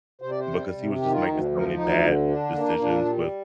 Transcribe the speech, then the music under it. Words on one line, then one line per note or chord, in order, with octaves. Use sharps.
because he was just making so many bad decisions with
C3 C5
D5
C5
G3
C3
D#3 G4
F4
D2 D#4
D4
F3
A#4
D2 D#4
D3
D4
A#3
A#2 D4
G3